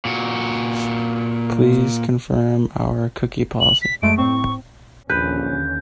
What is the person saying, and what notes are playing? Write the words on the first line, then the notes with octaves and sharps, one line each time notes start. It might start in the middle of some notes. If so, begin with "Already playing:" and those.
Please confirm our cookie policy.
A#2 F#4
F#7
B6
F#2 G#3 A3 D7
A2 C4 C#6
A#1 D#2 D3 C#4 B4 G6